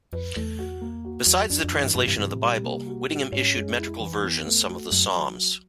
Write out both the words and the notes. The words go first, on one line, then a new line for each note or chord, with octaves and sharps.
Besides the translation of the Bible, Whittingham issued metrical versions some of Psalms.
F2 B4
E2 A3
F#4
A#3
F#4
E2 F#3
F2 D4
F2
F#2 E3
G2
G2 C3
G2
G2 C3
A2
G3
A#2
B2 A#3
C3
F#4
B2
A2 G3
G#2 C#4
F#2 G#3
F2 E4
E3
B3
A3
F#4
F#2 F#3